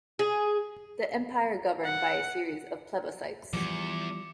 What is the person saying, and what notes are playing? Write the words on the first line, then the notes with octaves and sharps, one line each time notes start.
The Empire governed by a series of plebiscites.
G#4
F#5
E2 G2 E3 F3 G3 D6 C#7